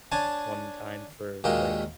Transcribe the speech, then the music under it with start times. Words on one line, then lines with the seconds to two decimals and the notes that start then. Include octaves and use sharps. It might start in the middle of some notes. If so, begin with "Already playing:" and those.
one time for, like,
0.12 D4 C#5 G#5 A5
1.44 D#2 A#2 G#3 F#4 A#4 G5